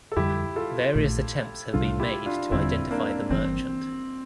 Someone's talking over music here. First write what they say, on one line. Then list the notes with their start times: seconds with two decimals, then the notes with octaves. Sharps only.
Various attempts have been made to identify the merchant.
0.12 A4
0.16 F2 D3 G3 E4 G4
0.56 F4 A4
0.96 A#1 A#2 A3
1.73 C2 C3 G3 D4 F4 A4
2.00 E4 G4
2.26 D4 F4
2.51 E1 E2 D3 G3 C4 E4
2.91 A#3 D4
3.30 G1 G2 E3 C4